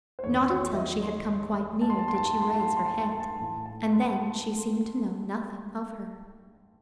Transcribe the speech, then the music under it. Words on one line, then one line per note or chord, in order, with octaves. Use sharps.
Not until she had come quite near did she raise her head, and then she seemed to know nothing of her.
C5
E2 D#3 A3 C#5
C#5
E5
D#5
C6
A5
C6
A5
C6
A5
C6
A5
C6
A5
C6
A5
C6
A5
C6
A5
C6
A5
A2 E3 A3 A5
A5
C6
A5
C6